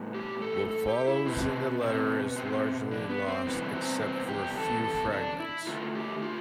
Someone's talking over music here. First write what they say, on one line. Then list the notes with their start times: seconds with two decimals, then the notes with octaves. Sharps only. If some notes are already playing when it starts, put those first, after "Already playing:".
What follows in the Letter is largely lost except for a few fragments.
Already playing: A2 G3 B3
0.14 G4
0.42 A4
0.71 A4
0.88 G4
1.07 E4
1.25 B2 B3 C4
1.81 C4
2.36 C4
2.91 D4
3.09 B3
3.28 C4
3.46 C3 E3 G3 B3
3.73 C4
4.02 C4
4.29 G4
4.57 A4
4.84 A4
5.13 D4
5.40 E4
5.67 D3 A3 F4
5.95 G4
6.22 F4